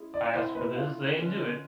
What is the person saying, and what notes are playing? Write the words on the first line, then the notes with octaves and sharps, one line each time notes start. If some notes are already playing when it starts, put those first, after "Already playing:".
asked for this, they didn't do it.
Already playing: G#3 C#4 E4 G#4
D5
G#3 C4 E4 C5
B4
F4
D3 F3 G#3 C#4